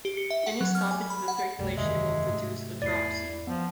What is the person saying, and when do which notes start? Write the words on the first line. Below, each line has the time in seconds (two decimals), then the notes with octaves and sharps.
Any stoppage of the circulation will produce a dropsy.
0.05 G4
0.17 C#7
0.31 E5
0.46 F#5
0.61 F#3
0.75 F6
0.91 G#5
1.10 B5
1.28 F#5
1.59 F1 B1 G3 A3
1.77 F#1 E2 C3 D#3 G#3 E5
2.28 G#2 A3
2.82 E2 E4 D5 C7
3.47 F3 B3